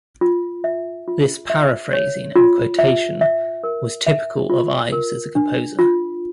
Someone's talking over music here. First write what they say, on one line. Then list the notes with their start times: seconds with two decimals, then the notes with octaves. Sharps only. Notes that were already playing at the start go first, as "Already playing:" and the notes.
This paraphrasing and quotation was typical of Ives as a composer.
0.21 F4
0.64 E5
1.08 F4
1.50 E5
1.93 C#5
2.36 F4
2.79 E5
3.21 E5
3.64 A#4
4.07 E5
4.50 F4
4.92 A#4
5.35 D4
5.79 F4